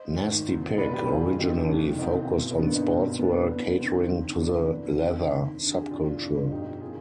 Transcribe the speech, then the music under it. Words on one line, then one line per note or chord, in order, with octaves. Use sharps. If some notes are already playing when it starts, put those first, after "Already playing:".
Nasty Pig originally focused on sportswear catering to the leather subculture.
Already playing: C5 D#5
G#1 G#2 D#3
C2 B2
D#5
B1 B2 B4 D5
G4 B4
D#2 D#3 F4 G#4
D2 D3 D#4 G4
F1 F2 D#3
C2 B2 C4 D#4
B1 B2
G1 G2 D#3 B3 D4
C4 D#4
B1 B2
B1 B2 B3 D4
C2 B2
D2 C3 D#3 C4
F1 D#2 D3
F1 F2 C3 D#3 B3 D4
C2 B2
F1 F2 D3 C4 D#4
D#2 D#3
D2 D3
G#4
G4
F1 F2 D#3 D4 F4
G1 F2 D3
B1 B2 D#4 G4
C3 D#3 F4 G#4